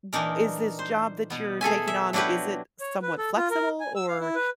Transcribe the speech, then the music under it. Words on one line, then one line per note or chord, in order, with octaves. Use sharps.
w is this job that you're taking on, is it somewhat flexible? Or
A#2 E3 D4 D#4 A#4
C5
B2 B3
G#4 A4 E5 G#5
E5
F#3 D4 E4 F#4 G4 B4
C#5
B4
A4
F4
A#4
G#5
E6
F5
E4
B4